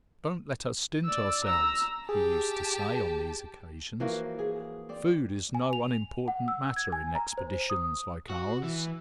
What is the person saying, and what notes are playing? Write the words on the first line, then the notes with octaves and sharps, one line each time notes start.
"Don't let us stint ourselves," he used to say on these occasions; "food is no unimportant matter in expeditions like ours."
D5 E6
A#5 E6
G4 G#4 A5
E3 F3 A#3 F#4
G#4
C4 D5
G#5
F7
F#5
E6
G#6
G#5
A#5
C5
D#6
F#4
E3